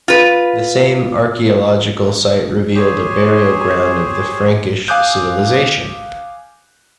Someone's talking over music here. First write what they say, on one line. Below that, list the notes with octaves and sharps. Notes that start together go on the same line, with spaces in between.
The same archaeological site revealed a burial-ground of the Frankish civilisation.
F4 B4
G4 G#4 C5 C#5 G#5
F5 G#5 D6 D#6 F#6 G6